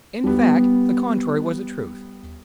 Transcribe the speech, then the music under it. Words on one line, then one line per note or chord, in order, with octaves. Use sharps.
In fact, the contrary was the truth.
G3 B3